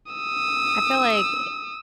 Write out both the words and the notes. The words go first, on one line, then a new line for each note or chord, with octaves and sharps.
I feel, like, eh
D#6 E6